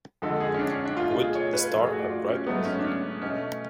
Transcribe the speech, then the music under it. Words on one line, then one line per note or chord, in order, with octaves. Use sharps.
Would the Star have griped?
F2 D3 G#3 A4
G#4
C#4
D4
C#4
D4
B2 A3 F4
F4
G#4
C#5
B4
A2 F3 A3 A4
G#4
F#4
D5
F4
C#4
G#2 F#3 A3 B3
C#4
D4
C#4
B2 A3 C#4